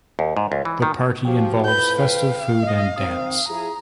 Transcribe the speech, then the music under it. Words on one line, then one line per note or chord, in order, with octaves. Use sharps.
The party involves festive food and dance.
D#2
G#2
C#2
E3
D#3
F3 F#4 G4 G5
F2 E4 B4 B5 G6
F5 G5
D#5
D#3 C4 D#6
F3 E4 G#4 A#5